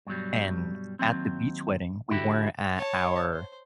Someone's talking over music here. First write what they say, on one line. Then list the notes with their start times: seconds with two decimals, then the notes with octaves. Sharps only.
and at the beach wedding, we weren't at our,
0.07 G2 B2 F#3 G3
0.99 D#2 F#3 C4
2.10 D3 E4 F#4 G4
2.77 C#5 A5
3.33 C5